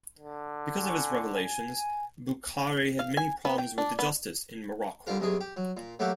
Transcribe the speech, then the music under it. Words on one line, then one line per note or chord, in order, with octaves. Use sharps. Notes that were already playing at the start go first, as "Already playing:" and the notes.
Because of his revelations, Boukhari had many problems with the justice in Morocco.
D3
G#5 C#6
G#5
F5
G#5
B3
G5
D4
B3
D3 G3 F4 A#4
B1 G2 C3 G#4 G#5
G4
F#3
A#2
F#3 A3 A#3 G4 E5 F#5